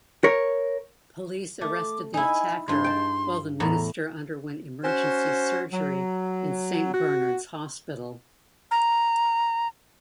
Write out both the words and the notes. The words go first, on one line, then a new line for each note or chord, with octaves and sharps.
Police arrested the attacker while the Minister underwent emergency surgery in Saint Bernard's Hospital.
A#4 C#5
A3 D6
D#4 E4 G#5
G2 G#3 C6
G5 A5
E2 A2 A#5
C#4 F#4 C5
F#3
F#4
A#5